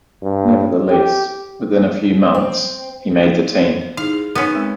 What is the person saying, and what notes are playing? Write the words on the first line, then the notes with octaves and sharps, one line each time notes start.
Nevertheless, within a few months he made the team.
G2
G4
C4
C5
D#4 E4 G#4 F5
G#4
B3 C#4 D#4 A#4
G#3 C4